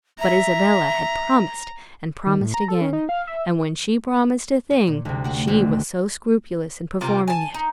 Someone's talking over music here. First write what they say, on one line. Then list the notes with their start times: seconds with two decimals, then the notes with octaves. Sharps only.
But Isabella had promised and promised again; and when she promised a thing, she was so scrupulous in performing it!
0.19 E5 A#5
2.26 D#3
2.41 A2
2.54 A#5
2.68 A4
2.81 C#4
2.93 D#4
3.09 F5
3.27 E5
4.71 D#4
4.87 A#2
5.05 D2 G#2 C3
5.24 A3 F#4
5.47 D#1 D2 A3 C4 F#4
7.01 C3 G3 F4 A#4
7.28 G#5 A5
7.54 D#4